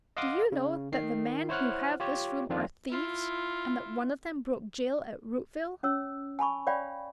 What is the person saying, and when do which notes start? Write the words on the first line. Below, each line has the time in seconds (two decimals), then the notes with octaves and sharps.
"Do you know that the men who have this room are thieves, and that one of them broke jail at Rootville?"
0.17 D#5 F5 F#5 C6 D6 D#6
0.52 C#3
0.92 D#3 C7
1.49 E4 C5 C#5 F#5 F6 F#6
2.00 F4 G4 C#5
2.49 F2 D#3 C4 D4 F4
2.89 E4 F4
5.83 C#4 C#5 E6
6.39 G#5 A5 B5 C#6
6.67 C#5 D5 F5 G5 B5